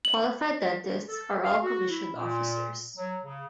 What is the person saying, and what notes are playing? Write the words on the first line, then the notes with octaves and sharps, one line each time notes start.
Qualified dentists are all commissioned officers.
F#7
A4
F5
F#4
E4
A#2
F#3
C#3